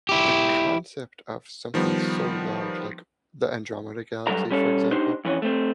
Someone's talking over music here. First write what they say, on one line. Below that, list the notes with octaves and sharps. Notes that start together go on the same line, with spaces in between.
the concept of something so large- like the Andromeda galaxy, for example-
E4 G4
D#3 F3 G3 B3
G2 F3 F#3 A4 A#5
G3 C#4 A4
D4 D#4 G4 C5
F2 E3 C#4
A3 C4